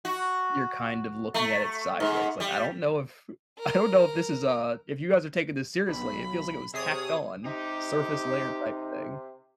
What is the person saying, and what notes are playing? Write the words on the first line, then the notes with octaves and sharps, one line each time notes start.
you're kind of looking at it sideways, like, I don't know if I don't know if this is a if you guys are taking this seriously, it feels like it was tacked on, surface layer type thing.
F#4
A3
G#2
G3
A#4
B1 B5
C3 G#4 C#5 D#6
C3 D#4 G4